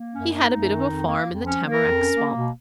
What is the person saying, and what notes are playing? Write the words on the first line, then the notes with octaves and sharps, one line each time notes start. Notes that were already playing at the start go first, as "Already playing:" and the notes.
He had a bit of a farm in the tamarack swamp.
Already playing: A#3
F#2 C#4
A#3 D#4
F#2
D#3
F2
A#3
F2
F3 C#4
A#3
A#4
F2
C#4
A#3
B2